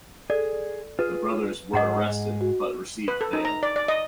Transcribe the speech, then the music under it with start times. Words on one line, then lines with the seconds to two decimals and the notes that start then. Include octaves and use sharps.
The brothers were arrested but received bail.
0.30 G#4 A4 D5
0.99 F4 G#4 B4
1.73 G#2 G#4 D#5 F#5 A#5
2.41 F#4
3.08 B4
3.21 A4
3.33 D#4
3.45 A#5
3.63 D5
3.76 D5
3.88 D#5